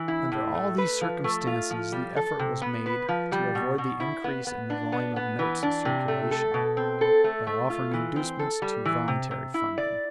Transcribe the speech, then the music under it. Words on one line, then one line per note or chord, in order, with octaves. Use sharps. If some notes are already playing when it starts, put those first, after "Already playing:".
Under all these circumstances the effort was made to avoid the increase in the volume of notes in circulation, by offering inducements to voluntary funding.
Already playing: E3
E4
A2
A3
B4
F3
A3
F4
F3
G3
A4
C3
B3
B4
F3
G3
B2
B2
E4
B3
B3
D4
B3
B3
E3
D4
C3
A3
A4
B2
C4
A4
A3
A3
F4
E3
C4
A4
G3
E3
C3
C3
E4
D5